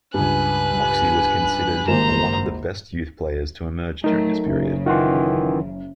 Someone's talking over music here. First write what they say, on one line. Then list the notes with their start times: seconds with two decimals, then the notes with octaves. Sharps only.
Moxey was considered one of the best youth players to emerge during this period.
0.14 C#2 G2 B4 G#5 F#6
1.88 G#1 A#3 C5 A#5 E7
4.04 F#3 A3 D#4 A#4
4.46 F#1 C#3
4.86 D#3 E3 F4 F#5 C6